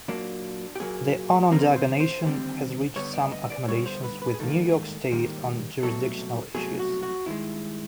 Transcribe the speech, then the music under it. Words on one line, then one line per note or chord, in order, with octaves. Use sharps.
The Onondaga Nation has reached some accommodations with New York State on jurisdictional issues.
A#2 F#3 A#3 D4
G4
A#2 F#3 A#3 G#4
D#2 D3 G3 C4 A#4
C5
C5
D#2 D3 G3 C4
G2 D3 G3 B3 C#5
D5
D#5
D5
G2 D3 G3 B3 C#5
C5
B4
B4
G#4
G#2 D#3 G3 A#3 A4
G#2 D#3 G3 A#3
C2 B2 F#3 A3 A4
C2 B2 F#3 A3 G#4
F#4
F#4
G2 D#3 G#3 E4